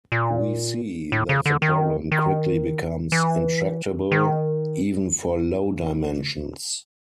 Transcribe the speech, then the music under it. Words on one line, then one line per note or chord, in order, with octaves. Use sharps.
We see that the problem quickly becomes intractable, even for low dimensions.
A#2
A2
C#3
D3
D#3
D#3
E3
D#3